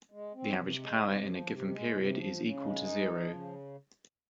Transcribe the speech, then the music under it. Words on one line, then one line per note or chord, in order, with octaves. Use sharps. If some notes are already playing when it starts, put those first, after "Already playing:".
The average power in a given period is equal to zero.
G#3
C4
C3
G#3
C3
F3
C3
G#3
C3
F3
C#3
G#3
D#4
F3
C#3